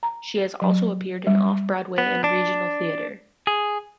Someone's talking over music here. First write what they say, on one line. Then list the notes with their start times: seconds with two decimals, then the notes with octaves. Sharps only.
She has also appeared in off-Broadway and regional theater.
0.03 A#5
0.62 F#3
1.27 G3
1.98 B3
2.24 D4
3.47 G#4